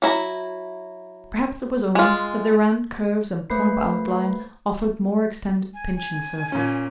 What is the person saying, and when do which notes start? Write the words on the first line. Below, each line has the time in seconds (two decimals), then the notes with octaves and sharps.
Perhaps it was only that the round curves and plump outline offered more extended pinching surface.
0.02 F#3 E4 A#5
1.95 G#3 F4
3.50 A3 A#3 B4 C5 B5 C7
5.74 G#5
5.96 G#5
6.52 A#2 C#4